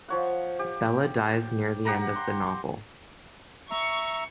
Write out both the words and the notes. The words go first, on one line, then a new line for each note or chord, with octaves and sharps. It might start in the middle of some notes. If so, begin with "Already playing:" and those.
Bella dies near the end of the novel.
F3 C#5 F#5
G4
G4 F#5 A#5 B5
C6
E5 A#5 C#6